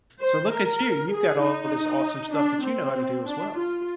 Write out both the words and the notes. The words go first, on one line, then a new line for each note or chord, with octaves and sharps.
So look at you, you've got all this awesome stuff that you know how to do as well.
C5
A#4
G#4
D#4
D4
C4
D4
F4